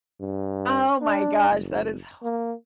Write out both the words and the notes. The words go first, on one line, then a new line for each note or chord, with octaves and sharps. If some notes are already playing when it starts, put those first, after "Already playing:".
Oh my gosh, that is hi
G2
D4
F#1
A#3